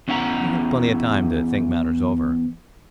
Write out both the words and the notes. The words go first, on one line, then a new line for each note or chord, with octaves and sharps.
He had plenty of time to think matters over.
E2 C#4 E4 F#5 A#5